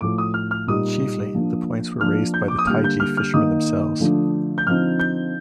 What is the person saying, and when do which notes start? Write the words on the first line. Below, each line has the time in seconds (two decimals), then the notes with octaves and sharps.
Chiefly the points were raised by the Taiji fishermen themselves.
0.01 A2 F3 A3 D6
0.18 D#6
0.34 F6
0.51 F6
0.67 A#2 G3 A#3 D#4 D#6
1.34 F3 A#3 D4
2.01 F3 A#3 D4 F6
2.34 G6
2.48 D6
2.59 D#6
2.67 D3 G3 A#3 F6
2.84 G6
3.00 F6
3.17 F6
3.34 D#3 A#3 D#4 D#6
4.00 D3 F3 A3 D4
4.58 G6
4.66 D3 F3 C4 D#4 F6
5.00 G6